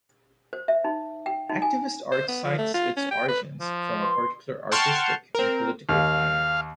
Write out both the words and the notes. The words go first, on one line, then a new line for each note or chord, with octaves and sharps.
Activist art cites its origins from a particular artistic and political climate.
C5
E5
D#4
G5
D#4
G#5
C5
B3
F3
A3
F4
C#4
G5
B4
F3
B4 C6
F#5 G5 A5 C6 C#6 F6
C4 A#4
D#2 F5